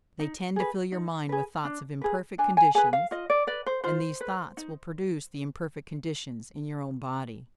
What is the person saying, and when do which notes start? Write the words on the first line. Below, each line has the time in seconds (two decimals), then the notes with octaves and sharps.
They tend to fill your mind with thoughts of imperfect conditions, and these thoughts will produce the imperfect conditions in your own body.
0.19 D#4
0.56 G#4 B4
0.92 D#4
1.29 G#4 B4
1.65 D4
2.01 G#4 B4
2.38 D4 G#5
2.57 G#5
2.75 G#4 B4 G#5
2.93 F5
3.11 F4 D#5
3.30 D5
3.47 B4 D5
3.66 C5
3.84 F4 C5
4.21 B4
4.57 D#4